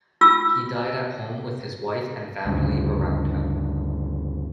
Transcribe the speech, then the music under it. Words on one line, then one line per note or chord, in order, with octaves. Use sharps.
He died at home with his wife and family around him.
F4 E6
D2 G2 C#3